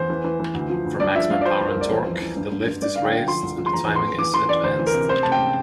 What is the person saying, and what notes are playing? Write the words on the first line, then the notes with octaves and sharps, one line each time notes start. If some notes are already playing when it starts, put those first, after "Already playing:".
For maximum power and torque, the lift is raised and the timing is advanced.
Already playing: E2 C5
E3
E3
E3
D2
F3
D2
G2 D5
F3 E5
G2 F5
D5
F3 C5
C2
A#4
C2 D5
E3 C5
F2
E3
G2
G2
G2
G2 D5
D3 F5
G5
D3
F3 C6
C2
F3
C6
E2 A#5
E2
C6
E2
E3 D6
E3 C6
E3 D5
D2 C5
E3
A#4
C3
C3 C5
C3 A5
G5